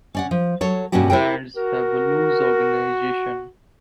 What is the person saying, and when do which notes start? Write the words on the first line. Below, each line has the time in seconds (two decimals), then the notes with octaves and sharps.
Bands have a loose organization.
0.15 C#4 D5 F#5
0.31 F3
0.61 F#3 A4 C#5
0.92 G2 B2 A#3 C#4 F#4 G4
1.10 E4 G4 A#4 G5
1.56 F#4 A#4